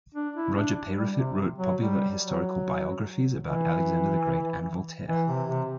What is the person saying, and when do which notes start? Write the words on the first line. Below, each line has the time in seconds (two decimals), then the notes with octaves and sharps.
Roger Peyrefitte wrote popular historical biographies about Alexander the Great and Voltaire.
0.15 D4
0.36 E4
0.56 D4
0.97 G3
1.18 C3
1.58 F#3
1.79 G3
2.21 F#3
3.43 E3
5.08 E3
5.28 C3
5.48 C3